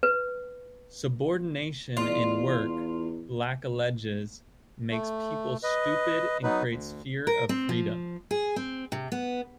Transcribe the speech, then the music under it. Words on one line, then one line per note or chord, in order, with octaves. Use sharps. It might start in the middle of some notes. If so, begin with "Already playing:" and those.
Subordination in work, Black alleges, makes people stupid and creates fear of freedom.
B4
E2 D#4 F4 D5
A3
B4 D#5
F#3 B3 D#4 B4
D2
A#4
C4
F3
G#4
C4
C3
B3